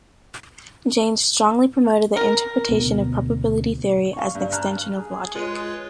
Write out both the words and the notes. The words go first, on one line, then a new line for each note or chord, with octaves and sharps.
Jaynes strongly promoted the interpretation of probability theory as an extension of logic.
A#4
D2 B2 B3
F5 C#6
G2
A5 A#5 F6 F#6
G#4
G#3 F4 B4 C#5